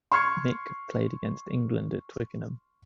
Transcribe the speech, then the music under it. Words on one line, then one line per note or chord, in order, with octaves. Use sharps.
Mick played against England at Twickenham.
C6 C#6 F6 G#6 C7 C#7